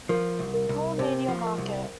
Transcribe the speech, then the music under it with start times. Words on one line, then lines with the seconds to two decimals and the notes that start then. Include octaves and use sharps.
Paul media market.
0.09 F3 A#4
0.39 C2
0.54 A#4
0.69 C2
0.98 C3 C5
1.28 F3
1.43 A#4
1.58 C2